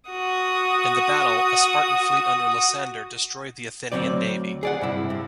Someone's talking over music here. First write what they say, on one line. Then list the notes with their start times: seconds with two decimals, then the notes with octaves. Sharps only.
In the battle, a Spartan fleet under Lysander destroyed the Athenian navy.
0.10 F#4 D#6
3.92 D2 A2 F#3 C4 D5
4.63 G#4 D5 F#5
4.81 G2 C3 E4
5.10 G2